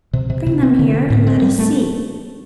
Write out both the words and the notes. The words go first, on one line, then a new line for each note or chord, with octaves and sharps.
Bring them here, and let us see.
C3
C3
C3
C4
D3
C4
A2
C4
G3
A3